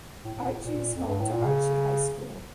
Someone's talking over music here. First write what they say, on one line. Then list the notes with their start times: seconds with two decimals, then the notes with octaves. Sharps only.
Archie is home to Archie High School.
0.25 A2
0.35 A2
0.45 A#2
0.55 A2
0.65 A#2
0.94 F2
1.07 G2
1.21 A2
1.32 A#2
1.45 C#3